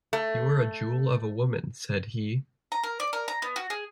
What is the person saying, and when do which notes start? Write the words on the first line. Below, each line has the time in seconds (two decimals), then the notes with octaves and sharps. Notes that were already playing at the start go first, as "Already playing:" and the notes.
"You are a jewel of a woman," said he.
0.13 A3
2.72 A#5
2.83 A#4
3.00 D5
3.13 A#4
3.28 A#5
3.42 B3
3.56 F#4
3.70 G#4